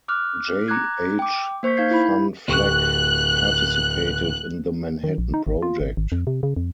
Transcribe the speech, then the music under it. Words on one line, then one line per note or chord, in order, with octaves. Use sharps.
J. H. Van Vleck participated in the Manhattan Project.
D6 F6 F#6
A#5 D6 F#6 G#6
G5 D6
A#3 C5 C#6 G6 B6
D#4 F5 G6 G#6 C7
E4 B5
D1 G4 C#6 F#6
D#3
A#1
D#4
G#1
F4
G#1
G#1
F2
C3
C#3
F2